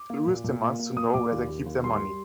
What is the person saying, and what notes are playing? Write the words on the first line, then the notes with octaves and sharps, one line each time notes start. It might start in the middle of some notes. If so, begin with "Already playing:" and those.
Louis demands to know where they keep their money.
Already playing: D6
A#3
A#2
A#2
A#3
A#3
A#2 D#6
A#2 D6
D#2
D#2
D#2
G3 C6
G3